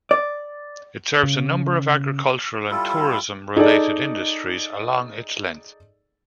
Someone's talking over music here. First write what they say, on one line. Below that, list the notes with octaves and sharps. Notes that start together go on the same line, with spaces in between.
It serves a number of agricultural and tourism-related industries along its length.
D5
C#3
G3 E4 F4 A4
D#4 G#4 A4 D5 D#5